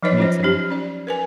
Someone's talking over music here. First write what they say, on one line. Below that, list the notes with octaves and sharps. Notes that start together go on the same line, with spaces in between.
me too.
F3 F#3 D#4 B4 C#5 D#5
C#4 F4 C5
C#4 D#4 G4
C#4 D5
A#4 B4 G#5